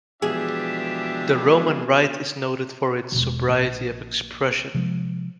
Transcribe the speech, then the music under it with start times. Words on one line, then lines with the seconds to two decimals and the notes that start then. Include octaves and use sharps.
The Roman Rite is noted for its sobriety of expression.
0.22 B2 E3 F3 G#3 D4 G4 G#4 E5
3.12 E1 B2
3.49 A#1 A#3
4.74 C3 F3 G#3